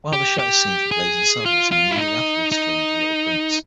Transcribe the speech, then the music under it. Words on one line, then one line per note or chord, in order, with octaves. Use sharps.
Wilder shot his scenes for "Blazing Saddles" and immediately afterwards filmed "The Little Prince".
G4
G4
G#4
F4
F4
E4
D#4
D#4